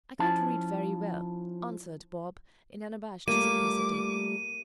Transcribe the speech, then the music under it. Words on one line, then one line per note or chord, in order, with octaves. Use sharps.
"I can't read very well," answered Bob, in unabashed simplicity.
F3 C#4 E4 A5
G3 A3 A#3 F4 D6 D#7